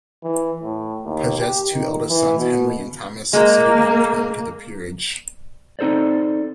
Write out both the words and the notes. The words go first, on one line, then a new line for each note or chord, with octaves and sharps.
Paget's two eldest sons, Henry and Thomas, succeeded in turn to the peerage.
E3
A2
D#2
G4
D#3
E3
B2
G#3 A#3
C4 D#4 A4 C5 D5